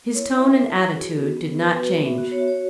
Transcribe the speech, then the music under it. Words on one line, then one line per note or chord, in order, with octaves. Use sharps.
His tone and attitude did not change.
E4 C#5
E4 E5
E4 E5
E4 C#5
F#4 G#4
B3 F#4
B3 G#4
B3 B4
F#4 B4
B3
E5
F#4
C#5
F#4 E5
C#5